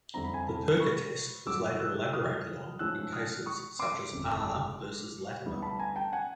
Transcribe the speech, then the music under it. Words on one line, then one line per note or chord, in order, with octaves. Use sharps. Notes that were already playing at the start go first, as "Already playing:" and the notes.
The Perka test was later elaborated on in cases such as "R. versus Latimer".
F2 D3 G3 C4 E4 A#5
B5
G#5 A#5
A5 B5
B5 C#6
G2 D3 F#3 D6 E6
E6 F#6
D#6 F6
G#2 F3 A3 C#4 E6 F#6
D#6 F6
C#6 D#6
C6 D6
G1 F2 C#3
D2 D3 G3 B3 E4
A5 B5
G#5 A#5
G5 A5
F#5 G#5